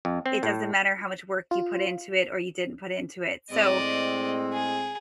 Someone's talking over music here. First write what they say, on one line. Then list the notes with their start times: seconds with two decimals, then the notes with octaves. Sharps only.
it doesn't matter how much work you put into it or you didn't put into it, so
0.05 F2
0.26 C4
0.43 A2
1.51 F4
3.51 A2 G#3 C4 D5 D#5
4.53 G#4